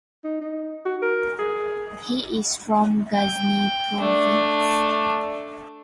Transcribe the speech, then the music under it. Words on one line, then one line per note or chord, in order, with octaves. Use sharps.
He is from Ghazni Province.
D#4
D#4
F#4
A#4
G#4
G5
A3 D4